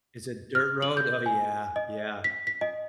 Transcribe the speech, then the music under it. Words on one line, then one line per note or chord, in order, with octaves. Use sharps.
Is it dirt road? Oh, yeah, yeah.
F6
F#7
G6
G#5
D#5
B6
B6
D#5